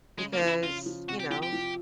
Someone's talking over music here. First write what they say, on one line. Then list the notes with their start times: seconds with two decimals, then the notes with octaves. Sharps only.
because, you know
0.18 C#3 G#3
0.33 A#3
0.42 F3
0.48 E4
0.63 C#3 F4
0.86 F3
1.08 C3 F#4
1.20 G4
1.30 F3 G4
1.42 G4
1.53 F3